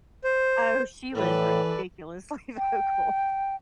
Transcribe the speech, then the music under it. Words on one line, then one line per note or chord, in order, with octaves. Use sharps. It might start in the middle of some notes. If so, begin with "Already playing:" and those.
Oh, she was ridiculously vocal,
C5
A2 E3 A4 B4 D5
G5